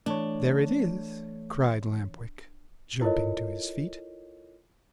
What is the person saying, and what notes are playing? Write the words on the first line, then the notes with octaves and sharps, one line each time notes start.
"There it is!" cried Lamp-Wick, jumping to his feet.
E3 A3 D4 C#5
E4 F4 A4 A#4 C#5 D#5